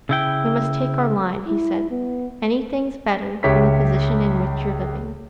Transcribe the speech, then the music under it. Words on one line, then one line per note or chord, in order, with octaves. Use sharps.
We must take our line," he said. "Anything's better than the position in which you're living.
C#3 E4 G5
E4
B3
C#2 G4 C#5 E5 B6